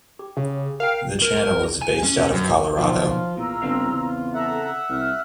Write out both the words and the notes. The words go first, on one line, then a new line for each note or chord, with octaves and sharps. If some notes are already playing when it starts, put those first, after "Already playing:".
The channel is based out of Colorado.
G4
C#3
A#4 F5 G5
A#4
G#5
C#4
F#2
B2 D#3 F3 F#3 F4
E2 A#2 A#5 E6
G1 C#3 C4 F5
E2
A4 E5 F#5 A#5
C2 F6